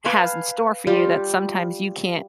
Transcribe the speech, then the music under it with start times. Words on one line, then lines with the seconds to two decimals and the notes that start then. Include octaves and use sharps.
has in store for you that sometimes you can't
0.05 B4 F5 G#5 A5
0.87 G3 F4 G4